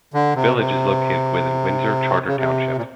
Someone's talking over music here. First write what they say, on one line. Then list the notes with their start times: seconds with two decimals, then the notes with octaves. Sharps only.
The village is located within Windsor Charter Township.
0.14 D3
0.35 C3
0.54 B2
0.58 C3
2.27 C#3
2.36 C3
2.77 A#2